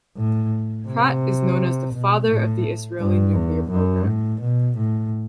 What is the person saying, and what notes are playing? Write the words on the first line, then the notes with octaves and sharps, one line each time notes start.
Pratt is known as the "father" of the Israeli nuclear programme.
A2
C3
B2
A2
G2
E2
F#2
A2
B2
A2